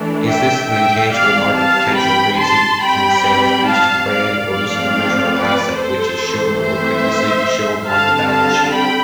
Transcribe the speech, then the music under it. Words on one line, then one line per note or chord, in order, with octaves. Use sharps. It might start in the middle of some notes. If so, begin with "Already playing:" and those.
Is this an intangible market potential raising and sales boosting brand or is it a measurable asset, which is shown or could easily be shown on the balance sheet?
Already playing: E3 A3 D4
E5 G5
E5 G5
E3 G3 C4 D5 F5
F5 A5
G5 B5
A5 C6
G3 C4 G5 B5
F5 A5
D5 F5
F3 A3 C4 D5 F5
B4 D5
A4 C5
E3 A3 C4
C5 E5
D3 G3 C4 F5 A5
F5 A5
G5 B5